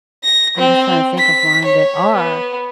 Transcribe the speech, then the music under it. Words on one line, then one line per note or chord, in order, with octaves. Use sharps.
I'm just trying to think of one that are
A#6
C4
B6
C#5
B3